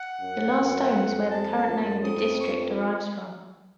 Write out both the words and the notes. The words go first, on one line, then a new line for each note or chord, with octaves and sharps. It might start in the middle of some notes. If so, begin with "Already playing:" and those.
The last stone is where the current name of the district derives from.
Already playing: F#5
F#2
F#2
F2
A5
F#2
F2 D#6
C#6